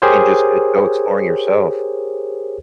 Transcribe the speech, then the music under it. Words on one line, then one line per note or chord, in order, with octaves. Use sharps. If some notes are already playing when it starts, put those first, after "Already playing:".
and just g go exploring yourself
G4 G#4 A#4 C5 C#5